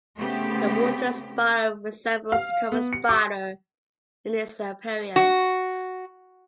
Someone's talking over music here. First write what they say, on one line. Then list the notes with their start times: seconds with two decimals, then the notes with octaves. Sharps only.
The water-spider resembles the common spider in its appearance.
0.18 C#3 A3 B3 C4 G4
2.32 F5
2.72 B3
2.93 C#7
3.09 D6
5.16 F#4